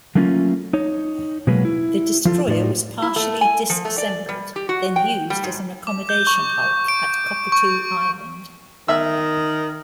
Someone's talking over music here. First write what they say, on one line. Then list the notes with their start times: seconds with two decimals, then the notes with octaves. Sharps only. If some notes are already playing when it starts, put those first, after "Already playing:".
The destroyer was partially disassembled, then used as an accommodation hulk at Cockatoo Island.
0.15 F#3 A3 A#3 C#4 E4 F4
0.73 D#4 C#5
1.47 B2 F#3 G#3 A#3 B4
1.65 E4
2.25 F3 F4 A4
2.48 A2 D#4 F4 D5
3.02 E4
3.16 A3
3.41 G#5
3.70 F3
3.85 A3
3.98 D5
4.29 G3
4.56 G4
4.69 F#4
4.96 G5
5.30 G3
5.44 G#2
5.87 D6
6.09 G6
6.27 C#6
6.88 D7
7.52 C#6
8.88 D#3 E5 E6